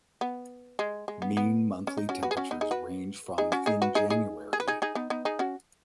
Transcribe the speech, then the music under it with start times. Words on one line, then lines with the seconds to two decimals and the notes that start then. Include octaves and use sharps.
Mean monthly temperatures range from in January.
0.21 B3
0.79 G#3
1.08 G#3
1.22 B3
1.37 B3
1.87 C#4
1.97 D#4
2.09 C#4 F#4
2.23 F#4 B4
2.31 G#4
2.37 C#4 F#4
2.51 B3 D#4
2.61 D#4 G#4
2.71 F#4 B4
3.38 D#4 G#4
3.52 C#4 F#4
3.66 D#4 G#4
3.82 F#4 B4
3.95 D#4 G#4
4.10 D#4 G#4
4.53 G#4
4.60 B4
4.68 D#4 G#4
4.82 D#4 G#4
4.95 B3 D#4
5.10 B3 D#4
5.25 D#4 G#4
5.39 C#4 F#4